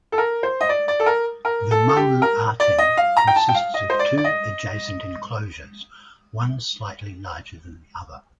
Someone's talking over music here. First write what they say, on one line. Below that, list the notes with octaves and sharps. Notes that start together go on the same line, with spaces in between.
The Maru-Aten consists of two adjacent enclosures, one slightly larger than the other.
A4
A#4
C5
D#5
D5
D5
A4
A#4
A#4
A4
A4
G4
A#4
D5
D#5
F5
A#5
G5
A5
G5
F5
D#5
C5
D5
D5
D#5